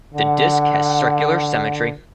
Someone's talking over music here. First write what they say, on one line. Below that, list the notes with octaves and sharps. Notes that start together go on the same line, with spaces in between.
The disk has circular symmetry.
D3 F#5